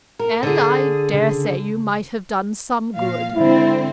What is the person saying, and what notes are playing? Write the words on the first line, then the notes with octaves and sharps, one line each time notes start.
And I dare say you might have done some good.
A#4
D3 G#4
C#3
A#2 F5
G#2 D3 C4 E4